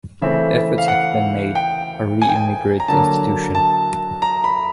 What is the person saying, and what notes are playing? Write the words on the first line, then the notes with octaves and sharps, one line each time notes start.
Efforts have been made a reinvigorate the institution.
C#3 E3 A3 C4 E5
F5
F#5
G5
G#5
G5
G#5
A#5
D3 F#3 A#3 A5
A5
A#5
B5